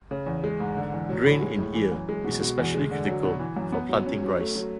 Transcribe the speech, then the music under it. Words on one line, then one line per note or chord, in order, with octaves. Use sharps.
Grain in Ear is especially critical for planting rice.
C#3
E2
G#3
G#2
D3
E2
F#3
A2
G#3
A2
E3
F#2
G#3
B2
B2
E2
G#3
D3
F#3
B2
E3
F#2
B3
F#3
C#4
F#3
A3
F#3